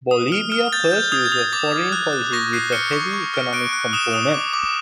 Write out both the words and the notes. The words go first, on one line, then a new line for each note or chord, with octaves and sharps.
Bolivia pursues a foreign policy with a heavy economic component.
D#6
F6
F6
G6 A6
G6
D#6 G#6
G#6
D#6
G#6
D6 A6
D6
F#6
F#6
C#6 A#6
F#6 C7
F6 C#7
C#6
C#6
F6
F#6 D7
F#6
D#6 E7
D#6
D6
D6